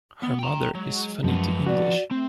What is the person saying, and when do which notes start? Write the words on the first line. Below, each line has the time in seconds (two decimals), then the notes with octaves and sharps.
Her mother is Fanita English.
0.23 B3
0.39 G5 A#5
0.75 F#3 G#3
1.24 F#2 F3 B3
1.66 F#4 D5
2.11 A3 C4